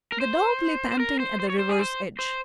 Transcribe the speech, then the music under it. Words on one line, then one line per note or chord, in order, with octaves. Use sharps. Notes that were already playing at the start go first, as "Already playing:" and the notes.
The dog lay panting at the river's edge.
A#4
C5
C5
A#4
C5
C5
C#5
C5
G#4
C5
C5